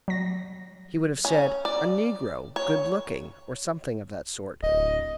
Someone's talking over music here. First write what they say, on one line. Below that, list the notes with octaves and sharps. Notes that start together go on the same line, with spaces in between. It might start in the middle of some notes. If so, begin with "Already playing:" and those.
He would have said, 'A negro, good-looking,' or something of that sort.
F#3 A#6
C#4
D5
C#5
D1 D#5